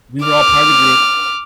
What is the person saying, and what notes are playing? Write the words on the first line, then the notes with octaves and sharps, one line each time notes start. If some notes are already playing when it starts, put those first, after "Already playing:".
we were all part of the group,
D6 F6